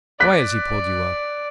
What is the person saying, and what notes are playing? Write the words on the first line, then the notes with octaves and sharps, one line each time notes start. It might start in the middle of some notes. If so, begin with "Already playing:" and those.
Why has he pulled you up?
D5 F#6 B6